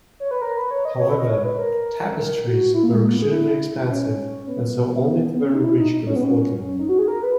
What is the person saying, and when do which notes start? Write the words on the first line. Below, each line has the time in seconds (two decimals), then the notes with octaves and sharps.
However, tapestries were extremely expensive and so only the very rich could afford them.
0.20 C#5
0.31 B4
0.42 A#4
0.57 B4
0.71 C#5
0.85 D#5
1.00 C#5
1.09 B4
1.19 D#5
1.29 C#5
1.44 B4
1.58 A#4
2.45 F#4
2.74 E4
2.83 A#3
2.93 G#3
3.02 A#3
3.13 B3
3.22 G#4
3.31 E4
3.90 C#4
4.47 B3
5.35 B3
5.44 C#4
5.54 D#4
5.63 E4
5.78 D#4
5.92 D#4
6.07 C#4
6.16 B3
6.24 C#4
6.79 D#4
6.89 F#4
6.99 G#4
7.08 A#4
7.23 B4